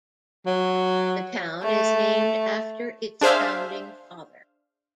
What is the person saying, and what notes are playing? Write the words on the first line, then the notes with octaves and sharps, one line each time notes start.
The town is named after its founding father.
F#3
A3
D4 G#4 C5 E5 F5